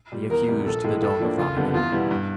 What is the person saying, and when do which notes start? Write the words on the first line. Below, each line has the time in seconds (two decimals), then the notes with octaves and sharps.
He accused the dog of robbing him.
0.12 A#2 G3
0.30 E2 A#4
0.48 C3 E3 G3
0.66 A#1 A4
0.84 A2 E3 G#3
1.02 A2 A4
1.20 F3 A#3 D4
1.38 F#1 F4
1.56 F2 D3 G3 B3
1.74 E2 F4
1.92 B2 G3 B3 E4
2.11 G2